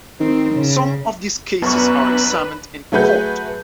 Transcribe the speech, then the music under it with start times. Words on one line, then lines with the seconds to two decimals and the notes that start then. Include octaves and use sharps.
Some of these cases are examined in court.
0.20 D#3 C4
0.54 C#3
1.62 F#2 B3 D4 B4 C#6
2.92 F#3 A3 G#4 B4 F#5 G6